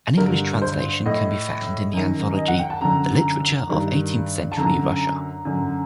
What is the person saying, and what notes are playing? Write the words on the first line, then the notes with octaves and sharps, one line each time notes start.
An English translation can be found in the anthology "The Literature of Eighteenth-Century Russia".
G2 D3 A#4
C5
A2 D#5
F#2 D#3
D#5
F#5
G5
A5
F#2 D3 A#5
G2 D#3
A5
F#2 D3 A#5
F#2 D3